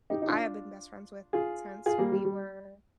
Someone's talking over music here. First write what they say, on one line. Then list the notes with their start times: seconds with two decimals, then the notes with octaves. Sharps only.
who I have been best friends with since we were,
0.10 D#4 G4
0.22 D#4
0.28 D4 F4
1.33 F4 G#4
1.86 F4 G#4
1.98 G3 A#3
2.12 G3
2.25 G3